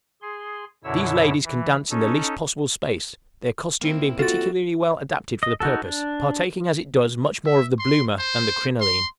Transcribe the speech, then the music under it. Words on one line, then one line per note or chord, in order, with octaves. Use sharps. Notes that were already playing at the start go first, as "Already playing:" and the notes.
These ladies can dance in the least possible space, their costume being particularly well adapted for the purpose, partaking as it does much more of the "Bloomer" than the "crinoline."
G#4 C6
F#2 B2 D3 E4 C#5 E6
E3
C#4 D#4 A4 C#5
A#3 C4 E4
F4 F#4 A4 A6
D#5
D#4 F#4 A4
D4
E5
C6
C5
C6